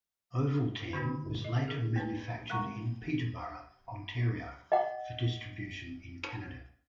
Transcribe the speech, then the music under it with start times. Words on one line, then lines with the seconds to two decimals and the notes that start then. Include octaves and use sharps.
Ovaltine was later manufactured in Peterborough, Ontario for distribution in Canada.
0.93 D3 D#3 A#3 D4 F#4 B4
1.44 D#5
1.65 G#4 A#4
1.96 A#3 B4 A5
2.50 G3 G#3 A#4 F#5 A#5 C#6
4.72 D#5 F#5